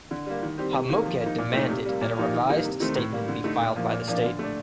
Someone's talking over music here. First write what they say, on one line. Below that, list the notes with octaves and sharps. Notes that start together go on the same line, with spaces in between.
HaMoked demanded that a revised statement be filed by the state.
D3
G3 A#3
D#3
G3 C4 G4
C3
D#3 A#3
F3
A#3 D#4
A#2
A3 D#4
C3
G3 A#3
A#2
F3 A#3 D#4 G4
D#3
G3 A#3 D#4
C3
D#3 A3 C4 D#4
A2
G3 A#3
D3
A3 D#4
A#2
F3 A#3
A#2
F3 A#3 D4
D3
A3 D4